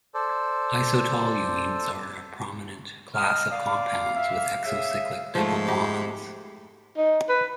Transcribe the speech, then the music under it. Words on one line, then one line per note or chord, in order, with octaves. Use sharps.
Isotoluenes are a prominent class of compounds with exocyclic double bonds.
A4 C5 D5
D#5 D#6 F6
D5 F5 D6
E5
G#4 C#5 E5 F5
G#2 F3 A3
G4
D#4
B4